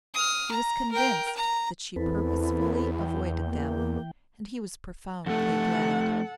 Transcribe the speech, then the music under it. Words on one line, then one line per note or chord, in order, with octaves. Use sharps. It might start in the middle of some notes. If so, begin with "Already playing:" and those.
He was convinced that she purposely avoided them and he was profoundly glad.
D#6 F6
A#5
A#4 G5
A#5
E2 C4 E4 A4 B4
E3 G5
A#3
F2 A3 A4 F#5